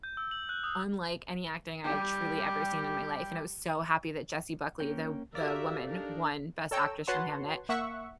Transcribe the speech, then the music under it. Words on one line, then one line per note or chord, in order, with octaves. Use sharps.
unlike any acting I had truly ever seen in my life, and I was so happy that Jessie Buckley, the the woman, won Best Actress from Hamnet.
G6
E6
F#7
F#6
D#6
G3 G4
A#3 C#4 G5
F#4 G4 A4 A#4 D5 E5 F5
D4 D#4 A#4
A4 C#5 G5 A#5 E6
F#4 B4 C#5 F#5 A5 C6
A#3 E5 F#5 C#6